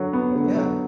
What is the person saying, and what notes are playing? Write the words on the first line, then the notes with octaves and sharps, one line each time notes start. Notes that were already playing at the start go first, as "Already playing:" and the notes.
Oh, yeah.
Already playing: D3 F#3 F#4
B3
D3
F#3